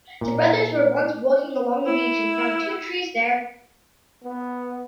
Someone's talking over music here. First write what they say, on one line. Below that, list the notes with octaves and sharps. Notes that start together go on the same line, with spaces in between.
The brothers were once walking along a beach and found two trees there.
A#2
E4
B3